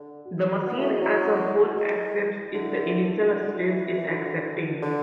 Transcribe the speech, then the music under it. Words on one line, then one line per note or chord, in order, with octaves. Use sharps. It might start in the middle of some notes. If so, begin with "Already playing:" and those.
The machine as a whole accepts if the initial state is accepting.
Already playing: D3
F#4
F#4
B3 E4
A3 F#4
G#3
F#3 E4
G#3
D3 E4
E4
D4
D3 F#4
E4
E3 F#4
B4
E3
D3
D3